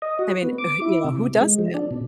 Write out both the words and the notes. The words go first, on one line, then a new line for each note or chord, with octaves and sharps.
I mean, e wh you know, who does that?
D#5
F#4
B3
D6
E4
C3
G#3
F3
D4
B2